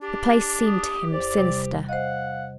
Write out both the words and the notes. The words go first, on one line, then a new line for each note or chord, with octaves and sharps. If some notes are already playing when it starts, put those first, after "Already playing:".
The place seemed to him sinister.
D4 G4
D#6
E2 C5 D5
C3 G3
C5 D#5 F5 F#5